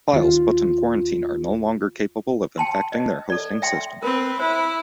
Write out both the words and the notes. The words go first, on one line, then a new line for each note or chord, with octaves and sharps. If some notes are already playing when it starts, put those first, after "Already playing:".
Files put in quarantine are no longer capable of infecting their hosting system.
D#2 F4
G5 A5 C6
D#5
A4 D5
E5 G5 C6
C4 A#4 B4
E4 C5